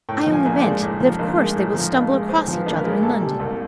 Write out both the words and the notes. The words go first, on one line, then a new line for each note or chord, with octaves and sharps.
"I only meant that of course they will stumble across each other in London."
A2 G5
F3
G#5
A#1
D5
G#3
A2
F3
A#1
G#3
A2
F3
A#1
G#3
A2 C5
F3
B4
A#1
B4
A#4
G#3
A#2 A4
G3
C2